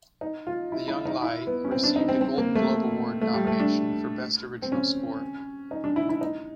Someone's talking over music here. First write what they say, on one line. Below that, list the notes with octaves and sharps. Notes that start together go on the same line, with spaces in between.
The young Lai received a Golden Globe Award nomination for "Best Original Score".
D#4
F4
E4
E4
D#4
E4
B3
C#4
C4
D4
D#4
C4
C4
A#3
A3
A3
G3
A3
D4
C4
C#4
D#4
D4
E4
E4
D#4